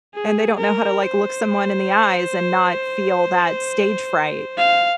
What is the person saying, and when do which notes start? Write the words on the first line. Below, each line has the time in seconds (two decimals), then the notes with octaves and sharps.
and they don't know how to, like, look someone in the eyes and not feel that stage fright
0.14 G#4
0.58 A#4
1.03 C5
4.57 F5